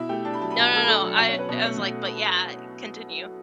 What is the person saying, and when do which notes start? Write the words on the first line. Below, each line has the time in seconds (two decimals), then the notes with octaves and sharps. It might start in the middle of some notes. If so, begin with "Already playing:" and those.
No no no, I I was like but yeah, continue.
Already playing: B2 E4 E5
0.09 A3 G4 G5
0.25 D4 A5
0.33 B5
0.41 F#3 A5
0.50 B5
0.56 B2 A5
0.67 B5
0.72 A3 A4 A5
0.83 B5
0.87 D4 A4 A5
1.02 F#3
1.18 B2 F#4 F#5
1.28 C#5
1.33 C#4
1.39 B4
1.49 B2 C#5
1.64 A3 C#5